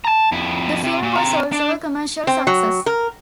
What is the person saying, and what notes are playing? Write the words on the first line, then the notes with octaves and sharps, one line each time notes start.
The film was also a commercial success.
A5 A#5
F2 E4
C3
A#2
C4 A#5
D4
C4
F#3
A#4